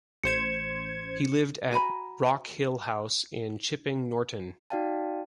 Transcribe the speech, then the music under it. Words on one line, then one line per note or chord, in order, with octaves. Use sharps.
He lived at Rock Hill House in Chipping Norton.
A1 C5 G#6 C#7 E7
F#4 G#5 A#5 B5
D#4 F#4 D5 F5 G5 A5